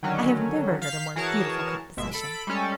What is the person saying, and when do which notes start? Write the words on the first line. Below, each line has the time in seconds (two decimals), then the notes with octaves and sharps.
'I have never heard a more beautiful composition.
0.03 D3 D#3 F#3 C#4
0.82 F5 F6 G6 B6 C7
1.16 E3 F#4 G#4 A#4 C#5 A5
1.97 G1 B2 G#3 E5
2.12 A4 B5 B6 D7
2.47 G3 G#3 C#4 A4